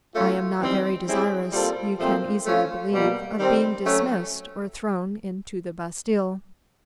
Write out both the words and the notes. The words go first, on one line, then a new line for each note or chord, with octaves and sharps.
I am not very desirous, you can easily believe, of being dismissed or thrown in to the Bastile.
F#3 A3 C#4 F4
E3 G3 C4 D#4
G3 C4 E4 G#4 C#5
A#2 G3 C4 F4 A4
A#2 F3 A3 C4
F3 A3 C#4 F4
B2 G3 A#3
D#3 G3 C4
F#3 A3 C#4